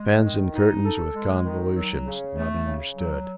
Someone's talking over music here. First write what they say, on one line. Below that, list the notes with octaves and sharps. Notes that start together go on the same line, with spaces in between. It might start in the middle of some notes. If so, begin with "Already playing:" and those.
Bands and Curtains with convolutions--not understood.
Already playing: G#3
D#3
D#4
A4
G#3
D#3
F#3
C#3
A3
C#3
F#3